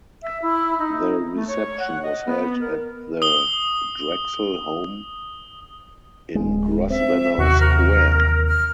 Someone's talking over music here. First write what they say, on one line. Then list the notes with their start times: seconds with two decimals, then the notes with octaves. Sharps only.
The reception was held at the Drexel home in Grosvenor Square.
0.22 E5
0.42 E4
0.79 D#4
1.34 A3
1.47 C#5
1.80 F#5
2.02 D#5
2.26 B3
2.60 A#4
3.22 D#6 G7
6.35 D1 G#3
6.90 C4 E5
7.38 D#2 C3 E3 F#4
7.60 A#4
8.48 F6